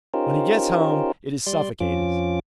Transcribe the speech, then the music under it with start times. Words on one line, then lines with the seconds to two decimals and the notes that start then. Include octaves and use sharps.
When he gets home it is suffocated.
0.14 C#4 D#4 F4 G4 A#4 C5
1.47 G3 D5 C6
1.80 F2 F3 C#4 F4 D6